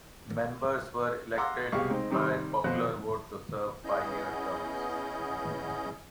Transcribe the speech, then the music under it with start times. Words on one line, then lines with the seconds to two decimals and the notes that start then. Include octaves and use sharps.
Members were elected by popular vote to serve five-year terms.
1.37 F5 F#5 A#5 C6 D6 E6
1.72 C2 B2 G4 G#4 F5 C#6
1.90 G#3 C4 D#4
2.10 C3 D#3 G3 B5 E6
2.64 F2 B2 C5 F#6
3.84 B3 C#4 E4 G#4 D#5 G6